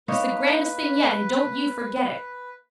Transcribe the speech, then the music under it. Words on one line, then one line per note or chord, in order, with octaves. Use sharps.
He's the grandest thing yet and don't you forget it.
A#3 D#4 B4 C#5